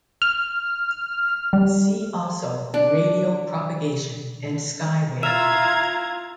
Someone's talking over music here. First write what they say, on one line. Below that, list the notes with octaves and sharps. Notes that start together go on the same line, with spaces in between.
See also Radio Propagation and Skywave.
F6
G3
D4
E4 F4 E5 F5 A#5 F6 G#6 A6